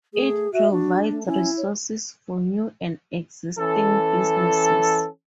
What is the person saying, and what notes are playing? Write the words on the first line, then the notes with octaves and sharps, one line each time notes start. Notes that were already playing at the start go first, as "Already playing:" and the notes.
It provides resources for new and existing businesses.
A3 G#4
F#4 E5
D4 F#4
A3
C#4 E4
C#5
E3 C#4 A4